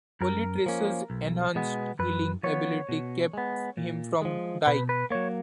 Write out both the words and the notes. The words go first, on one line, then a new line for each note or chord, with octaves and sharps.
Only Tracer's enhanced healing ability kept him from dying.
F#2 A#4
F3 A#3 C#4
B1
B2 G#3 B3
F#2 B4
F3 B3 C#5
B2
G#3 B3
A#2
F3 G#3
B2 B4
B4
F#3 A#3 C#5